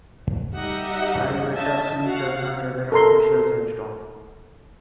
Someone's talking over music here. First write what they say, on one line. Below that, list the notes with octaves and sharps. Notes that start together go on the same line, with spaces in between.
Pi Beta Phi does not have an official gemstone.
G3 D#4 G4 D#5 E5 F#5
D#5 E5 A5
F#4 F5 F#5
A4 A#4 A#5 C6